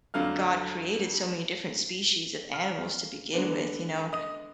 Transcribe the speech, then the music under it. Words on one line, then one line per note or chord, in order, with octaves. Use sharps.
god created so many different species of animals to begin with, you know,
F2 D3 F#3 D4 F5 F6
F5 F6
D3 G#3 B3 D4
D#5 D#6